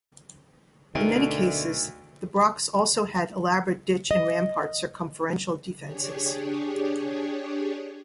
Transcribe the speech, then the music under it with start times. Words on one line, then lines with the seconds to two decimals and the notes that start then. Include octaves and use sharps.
In many cases the brochs also had elaborate ditch and rampart circumferential defences.
0.95 D2 B2 D3 D#4 A#4
4.11 D#5
5.82 D4 G4 G#4 C#5